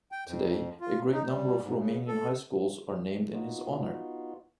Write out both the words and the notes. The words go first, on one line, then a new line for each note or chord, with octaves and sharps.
Today a great number of Romanian highschools are named in his honour.
G5
F2
F4
D#4
G3
G#2
C#3
A4
B3 D#4 F4 F#4